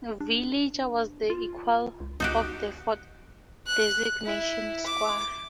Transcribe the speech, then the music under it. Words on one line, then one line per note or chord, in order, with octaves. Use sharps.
Villager was the equal of the Ford designation "Squire".
D4
F4
C#2
C#2 D#4 F#4 G4
F#6
E4
D6